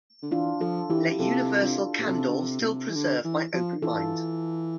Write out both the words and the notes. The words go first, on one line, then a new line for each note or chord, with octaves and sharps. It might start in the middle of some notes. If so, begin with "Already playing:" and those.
Let universal candor still preserve my open mind.
D3
E3 D4 F4
F3 F4 A4
E3 E4 G4
G4
C3 F4 A4
D4 F4
A#2 G4
C3 F4 A4
D3
C3
A#2
C3
E3
D3
E3
F3
E3 F4 A4